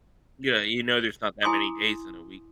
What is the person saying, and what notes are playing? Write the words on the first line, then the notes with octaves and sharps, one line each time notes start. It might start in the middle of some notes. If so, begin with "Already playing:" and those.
Yeah, you know, there's not that many days in a week,
E4 G#5 C6 D6 D#6